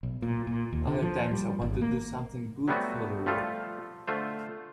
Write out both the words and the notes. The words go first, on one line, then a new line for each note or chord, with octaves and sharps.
Other times I want to do something good for the world.
B1
A#2
A#2
D#2
D3
F3
G3
G#1
A#3
F#3 G3 A3 B3 C4 F#4
F3 G3 A3 F4 A4
D3 A3 F4 C5